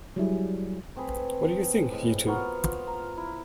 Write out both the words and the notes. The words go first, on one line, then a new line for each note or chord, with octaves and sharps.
What do you think, you two?
F#3 G3 E4 G#4
A3 C4 G#4 B4
A2 G#3
B3 F4 F#4 A#4
F4
A#5
E4